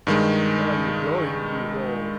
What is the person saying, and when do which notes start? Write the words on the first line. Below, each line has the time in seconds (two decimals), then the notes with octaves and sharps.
"Where are you going, you rogue?"
0.07 G2 D#3 G#3